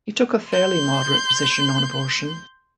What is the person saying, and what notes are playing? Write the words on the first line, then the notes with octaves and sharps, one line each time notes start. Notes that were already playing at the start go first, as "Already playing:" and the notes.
He took a fairly moderate position on abortion.
C6 G6